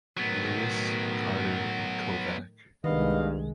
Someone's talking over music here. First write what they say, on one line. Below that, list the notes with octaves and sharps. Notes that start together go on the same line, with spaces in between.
Lewis, Carter, and Kovac.
A2 D#3 F#3 B3
C2 G2 D#3 G#3 B3 D#5 F5